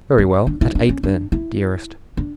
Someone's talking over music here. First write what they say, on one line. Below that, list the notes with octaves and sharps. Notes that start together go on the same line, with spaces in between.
"Very well, at eight then, dearest."
C#4
D4
E4
D4
C#4
D4
E4
D4